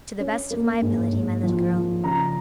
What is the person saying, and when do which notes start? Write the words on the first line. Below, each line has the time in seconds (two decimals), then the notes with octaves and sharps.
"To the best of my ability, my little girl."
0.20 C#4
0.51 A#3
0.81 G#2
1.12 G#2
1.43 F3
1.73 F3
2.04 C#3 A#5